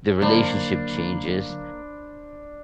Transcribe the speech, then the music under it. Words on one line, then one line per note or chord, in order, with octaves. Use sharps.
the relationship changes
D3 F#3 A#3 D4 C5 D5 B5